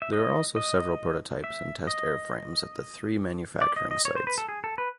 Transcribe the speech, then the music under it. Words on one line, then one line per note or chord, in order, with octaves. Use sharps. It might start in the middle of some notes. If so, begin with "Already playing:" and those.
There are also several prototypes and test airframes at the three manufacturing sites.
E5
D#5
D#5
E5
D#5
D5
D#5
D#5
C#5
C5
B4
A4
G#4
A4
B4